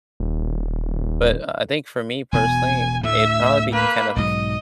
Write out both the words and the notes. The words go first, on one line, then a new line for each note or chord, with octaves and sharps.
but, uh, I think for me personally, it'd probably be calock
D#1
E1 B2 G#5
D2 A2 A3 E5 E6
A#3 B4
B1 G#2 F#3 D#5